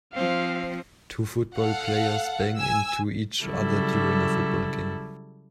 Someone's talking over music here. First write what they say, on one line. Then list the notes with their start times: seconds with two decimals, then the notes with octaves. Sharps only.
Two football players bang into each other during a football game.
0.14 F3 C4 F5
1.56 A4 F5 F#5
2.56 G#5 E6
3.42 C#3 F#3 G3 E4 A4